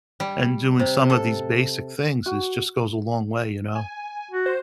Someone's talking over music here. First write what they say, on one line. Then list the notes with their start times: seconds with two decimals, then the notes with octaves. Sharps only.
and doing some of these basic things is just goes a long way, you know?
0.20 G3
0.80 C3
1.10 A4
2.26 F#4
3.75 G#5
4.31 F#4
4.46 C5